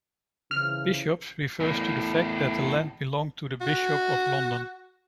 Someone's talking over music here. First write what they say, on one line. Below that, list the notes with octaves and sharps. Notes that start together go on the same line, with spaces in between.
'Bishops' refers to the fact that the land belonged to the Bishop of London.
C#3 E3 F3 F6
E2 A2
F#4